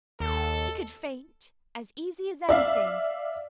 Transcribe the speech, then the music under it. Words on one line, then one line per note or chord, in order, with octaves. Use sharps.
She could faint as easy as anything.
D#2 A4
D5 E5 F5